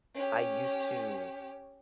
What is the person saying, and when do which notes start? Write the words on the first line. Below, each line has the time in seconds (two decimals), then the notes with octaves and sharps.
I used to
0.15 C#4 G4